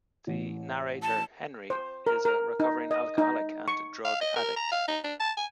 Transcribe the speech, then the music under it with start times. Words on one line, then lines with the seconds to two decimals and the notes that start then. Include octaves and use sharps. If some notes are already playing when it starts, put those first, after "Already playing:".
The narrator, Henry, is a recovering alcoholic and drug addict.
0.27 A1
1.02 A5
1.70 C5
2.07 A#4
2.25 A#4
2.60 D#4
2.91 D#5
3.18 D#4
3.68 C#6
4.05 F5
4.21 D#5
4.36 A#4
4.57 A#5
4.72 F5
4.88 D#4
5.04 D4
5.20 A5
5.37 G#5